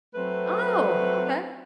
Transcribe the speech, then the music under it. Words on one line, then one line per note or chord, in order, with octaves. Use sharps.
Oh, okay.
F#3 A3 C4 B4